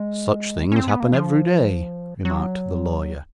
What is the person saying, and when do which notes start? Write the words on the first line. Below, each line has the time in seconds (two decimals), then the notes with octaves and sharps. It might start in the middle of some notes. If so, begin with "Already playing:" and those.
'Such things happen every day,' remarked the lawyer.
Already playing: G#3
0.72 C#4
0.76 C4
0.88 B3
1.00 A#3
1.13 F3
2.25 F#3